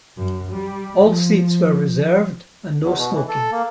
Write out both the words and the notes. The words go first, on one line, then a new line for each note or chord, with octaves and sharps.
All seats were reserved and no-smoking.
F#2
G3
F3
E2
B2
E3
A4
A#3